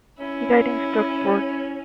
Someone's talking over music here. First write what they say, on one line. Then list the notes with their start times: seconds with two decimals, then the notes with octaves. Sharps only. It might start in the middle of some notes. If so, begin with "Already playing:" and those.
He died in Stockport.
0.19 C#4 E4